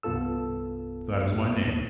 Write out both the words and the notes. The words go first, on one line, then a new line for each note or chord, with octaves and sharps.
"That is my name."
C2 G2 B3 F4 A4 E6